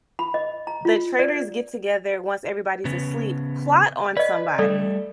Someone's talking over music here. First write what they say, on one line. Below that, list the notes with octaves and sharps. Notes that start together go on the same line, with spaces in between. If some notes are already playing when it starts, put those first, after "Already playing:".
the traitors get together once everybody's asleep, plot on somebody,
B5
D#5
A#5
F4
D5
C#3 B3
B4 D5 D#5
G3 A3 A4 D5